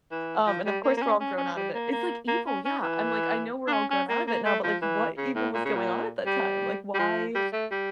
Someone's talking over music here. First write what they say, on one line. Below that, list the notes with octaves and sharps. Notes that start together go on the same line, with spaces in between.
Um, and of course we're all grown out of it. It's like evil, yeah, I'm like, "I know we're all grown out of it now, but like, what even was going on at that time?" Like, why
E3
F3
G3
A#3
A#3
C#4
C#4
C#4
G3
A#3
A#3
A#3
C#4
C#4
E3
D4
C#4
C#4
A#3
A#3
A3
F3
E3
C#3
A2
A#2
C#3
A#2
G3
G3
F3
G3
A3
G3